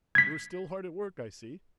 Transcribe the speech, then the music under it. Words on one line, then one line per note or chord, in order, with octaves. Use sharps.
"You are still hard at work, I see?"
G#6 B6